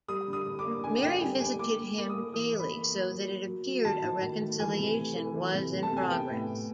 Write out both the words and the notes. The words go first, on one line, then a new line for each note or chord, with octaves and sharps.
Mary visited him daily, so that it appeared a reconciliation was in progress.
G3 D#6
D3
D#6
D3
D6
A#3
D3 G#5
A#3 G5
G3 G#5
D3 G#5
A#3 D6
A#3
A#3 D6
D#6
A#3
E3 D#6
E3
B5
A#3
A#3
F#3
F#3
F#3
F#3
D#3 A5
D#3
D#3
A3
E3 G#5
C3
A3
E3
E3
C3
A3
A5
C3 G#5
B3 G5
A2
A2